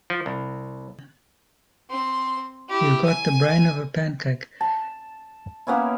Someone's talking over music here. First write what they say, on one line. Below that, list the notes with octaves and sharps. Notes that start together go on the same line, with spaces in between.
You've got the brain of a pancake.
F3
C2
C4 C6
E4 G4
G#5
A5
A#3 B3 C#4 E4